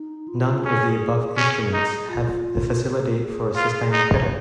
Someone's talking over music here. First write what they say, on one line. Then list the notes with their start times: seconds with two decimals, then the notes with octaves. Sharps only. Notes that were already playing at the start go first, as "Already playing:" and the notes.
None of the above instruments have the facility for a sustain pedal.
Already playing: D#4
0.28 F4
0.64 C#4 G#4
1.37 C#4 G#4
1.74 D#4
2.09 F4
2.83 A#4
2.96 G#4
3.10 F4
3.24 G#4
3.55 F4 G#4
3.92 D#4
4.22 C#5